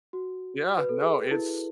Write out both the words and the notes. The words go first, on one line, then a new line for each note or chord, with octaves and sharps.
Yeah, no, it's
F#4
B4
A4
G#4
E4